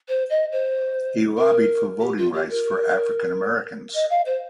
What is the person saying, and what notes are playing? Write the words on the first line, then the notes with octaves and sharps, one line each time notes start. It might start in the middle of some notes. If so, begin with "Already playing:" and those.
He lobbied for voting rights for African Americans.
C5
D#5
C5
A#4
G4
F4
G4
A#4
D#5
F5
C5